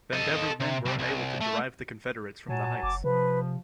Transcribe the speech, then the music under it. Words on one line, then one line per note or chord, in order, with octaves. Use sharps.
Vandever's men were unable to drive the Confederates from the heights.
A4 D#5
C3
C2 G3
C2
A3
A#2 F#3 G#5 A5
F#1 D6
C3 F3 B4